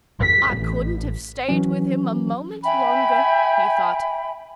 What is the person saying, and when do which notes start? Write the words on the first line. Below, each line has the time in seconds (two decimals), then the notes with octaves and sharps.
"I couldn't have stayed with him a moment longer," he thought.
0.21 B6
0.56 A1
1.49 E3 F#3 C#4
2.64 E5 G5 G#5 B5